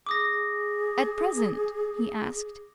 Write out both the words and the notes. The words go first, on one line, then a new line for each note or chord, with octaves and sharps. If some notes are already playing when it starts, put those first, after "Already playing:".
"At present?" he asked.
G#4 D6 D#6 A#6